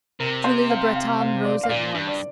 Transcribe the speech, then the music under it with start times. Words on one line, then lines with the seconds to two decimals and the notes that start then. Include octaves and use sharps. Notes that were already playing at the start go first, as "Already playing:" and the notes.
Julie Le Breton rose at once.
0.20 C3 A#4
0.44 C5
0.70 F5
0.95 F5
1.20 F5
1.45 D5
1.63 F5
1.69 A#2 D5
1.94 G2
2.07 D5